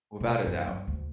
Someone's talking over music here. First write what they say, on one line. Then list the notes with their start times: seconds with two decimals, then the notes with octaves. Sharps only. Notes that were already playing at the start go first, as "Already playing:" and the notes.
Without a doubt.
0.21 B2
0.47 F#2
0.68 G2
0.88 D2